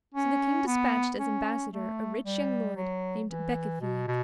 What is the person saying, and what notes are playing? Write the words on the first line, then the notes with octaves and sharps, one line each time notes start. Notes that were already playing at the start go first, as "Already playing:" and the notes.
So the King despatched as ambassador a rich young lord named Becafigue.
C#4
B3
C#4
A3
G3
F#3
E3
B2
B2